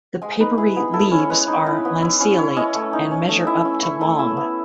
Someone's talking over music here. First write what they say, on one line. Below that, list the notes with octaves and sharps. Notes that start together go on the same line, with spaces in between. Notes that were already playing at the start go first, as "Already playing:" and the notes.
The papery leaves are lanceolate and measure up to long.
G#3 G#5
D#4 B4
E4 G#4
B3
E4 A4
C#4
C#5
G#3 B4
D#4
E4
B3
E4
C#4
E4 C#5
C#4 D#5
A3
D#4
C#4
A3
E4 E5
C#4
E4 C#6
A3 E6
E4 E6
B3